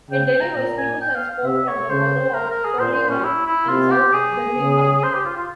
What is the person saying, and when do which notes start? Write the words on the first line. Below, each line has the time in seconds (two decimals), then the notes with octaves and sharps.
It delivers news and sport from the borough of Solihull and south Birmingham.
0.10 C#3 G5
0.26 G5
0.40 A#5
0.56 A#2 A#5
0.78 G#5
1.01 G5
1.15 F5
1.31 F5
1.44 C3 E5
1.68 C#5
1.90 C#3 C5
2.34 A#4
2.50 A#4
2.64 G#4
2.79 A#2 C5
2.94 C5
3.09 C#4
3.24 E4
3.46 E4
3.68 C3 F4
3.91 G4
4.13 G#4
4.59 C#3
5.03 C5
5.14 G4
5.25 F4
5.37 F4